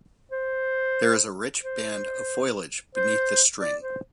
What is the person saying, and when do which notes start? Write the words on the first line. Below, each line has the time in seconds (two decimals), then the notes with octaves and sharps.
There is a rich band of foliage beneath the string.
0.31 C5
1.63 C5
2.95 C5
3.60 D5
3.83 C5